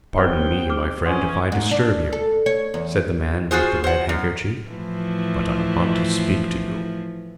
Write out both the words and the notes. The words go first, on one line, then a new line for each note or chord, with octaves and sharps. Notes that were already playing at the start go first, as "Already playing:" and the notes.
"Pardon me, my friend, if I disturb you," said the man with the red handkerchief, "but I want to speak to you."
G3 B3 C4 D#4 B4 F#5 G5 F6
G#4 D6 F6
E3 C#4 F#5 C6 D#6
G#2
D4
A4
C#5
E2
F4 F#4 G#4 C5
C5 F#5
F#2
A2 E3 F3